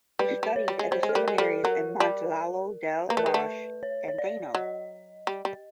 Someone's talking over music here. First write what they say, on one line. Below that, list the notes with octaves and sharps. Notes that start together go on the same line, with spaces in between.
He studied at the seminaries in Montalto delle Marche and Fano.
G3 B4
G3
C#5
G3
G#3
G3 C5
G#3
A4
G3 A#4
G#3
G3 A4
F#3 A#4
G3
A#3 B4
A3 A#4
G#3 B4
A3
C#5
C#5
D5
F#3 D#5
G3
G3